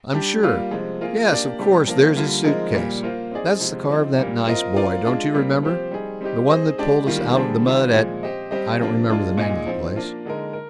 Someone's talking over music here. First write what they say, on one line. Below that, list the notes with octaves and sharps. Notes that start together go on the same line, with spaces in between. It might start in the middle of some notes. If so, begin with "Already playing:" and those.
I'm sure--yes, of course, there's his suitcase--that's the car of that nice boy--don't you remember?--the one that pulled us out of the mud at--I don't remember the name of the place.
G3 D4 G4
G3 A#3 F4
C3 F3 G#3
A#3 F4 G#4
A#3 D4 G4 D5
C3 G3 D4 G4
F3 A#3 D4
D3 G3 A#3 F4
F3 G#3 C4 D#4 A#4
A#2 G3 A#3
A#3 F4 C5
C4 D#4 G#4 D5
C3 F3 G#3
F3 C4 D#4
A#2 G3 A#3
C4 F4 A#4 D#5
C4 F4 A#4 D5
G#3 D4 F4
C3 G3 A#3
F3 C4 G4 C5
G3 C4 D#4 G#4
G3 C4 D#4 G4
C4 D#4 G#4 C5 D#5
G#3 D4 G4 D5
D#3 G3 A#3 F4
D3 G3 D4 G#4 C5
D#3 G3 C4 F4 C5
A#2 F3 G#3
C4 G4 C5 D#5
G3 C4 G4 C5 D#5
C3 F3 A#3 D4 F4
G#3 D4 F4
A#2 G#3 D#4 G#4 D#5
F3 C4 D#4
A#3 D4 F4
D3 G#3 D#4 A#4
A#4